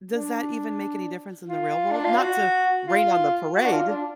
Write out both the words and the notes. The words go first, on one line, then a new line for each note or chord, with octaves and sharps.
does that even make any difference in the real world? Not to rain on the parade.
D4
F4
D4
F4
F#4
F4
F#4
D4
F4
D4